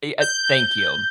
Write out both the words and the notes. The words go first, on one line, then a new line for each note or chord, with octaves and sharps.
eh, uh, thank you.
G6